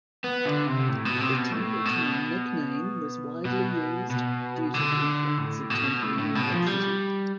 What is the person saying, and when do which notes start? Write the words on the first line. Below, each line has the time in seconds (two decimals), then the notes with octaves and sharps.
The Templetown nickname was widely used due to the influence of Temple University.
0.24 B3
0.45 D3
0.67 C3
0.89 A2
1.05 B2
1.20 C3
1.36 B2
1.52 A2
1.85 B2
3.45 B2
4.10 B2
4.74 D3
5.38 A2
5.70 B2
6.02 A2
6.18 A2
6.35 B2
6.51 F3
6.66 G3